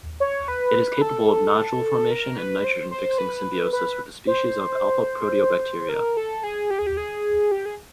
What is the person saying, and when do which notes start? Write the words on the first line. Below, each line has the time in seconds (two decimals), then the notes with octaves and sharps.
It is capable of nodule formation and nitrogen fixing symbiosis with species of alphaproteobacteria.
0.20 C#5
0.48 B4
1.02 A4
2.11 A#4
2.38 B4
2.64 C5
2.91 C5
3.18 B4
3.73 B4
4.27 C5
5.89 A#4
6.17 A4
6.44 G#4
6.71 G4
6.79 G#4
6.87 G4
6.97 G#4
7.51 G4
7.65 G#4